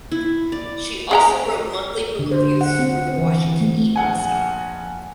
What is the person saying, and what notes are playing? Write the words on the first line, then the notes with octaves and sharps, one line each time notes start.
She also wrote monthly book reviews for the "Washington Evening Star".
E4
D5
G#4 G5 A#5
D3
C5
F#5
C4
E3
A3
A#1 F#5 G#5